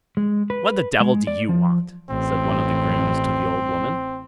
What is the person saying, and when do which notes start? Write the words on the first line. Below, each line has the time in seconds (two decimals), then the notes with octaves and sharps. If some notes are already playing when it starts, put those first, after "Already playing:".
'What the devil do you want?' said one of the grooms to the old woman.
0.17 G#3
0.50 B4
1.00 G#3
1.27 D5
1.49 F3
2.10 A1 C4